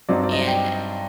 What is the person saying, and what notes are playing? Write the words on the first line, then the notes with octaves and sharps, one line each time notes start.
And, eh,
G2 F#3 C4 D#4 D5
D5
D#5
G5